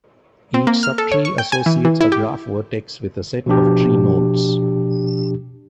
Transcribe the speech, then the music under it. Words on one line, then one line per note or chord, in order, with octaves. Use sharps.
Each subtree associates a graph vertex with a set of tree nodes.
C4
A#3
F6
A4
C#5
C#6
G5
G#5
E3
E3
E4
G4
B2 F3 D4 G4